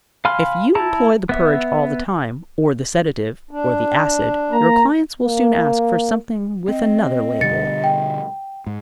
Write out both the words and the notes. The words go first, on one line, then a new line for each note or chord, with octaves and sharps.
If you employ the purge all the time, or the sedative, or the acid, your clients will soon ask for something with another label.
F5 G#5 B5 C6 F6
E4 A5 A#5
B3 E5
D4
A#3 A#5
A#3
C4 D#5
B2 D3 G3 A6 C#7
G5
G#2